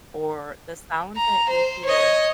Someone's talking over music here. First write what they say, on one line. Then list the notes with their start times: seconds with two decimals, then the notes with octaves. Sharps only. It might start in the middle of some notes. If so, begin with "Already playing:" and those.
or the sounds that you hear
1.17 A#5
1.49 C5
1.85 C#5 D#5